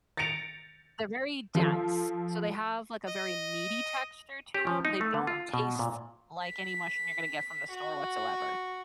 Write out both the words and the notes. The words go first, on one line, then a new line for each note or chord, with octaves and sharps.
they're very dense, so they have, like, a very meaty texture to 'em. They don't taste like any mushroom you're gonna get from the store whatsoever.
A6 A#6 C#7 D7 F7
F3 F4 A4
D#5
G4
F3
D#4
A3
D3
F4
B2
A#2
B6
F#4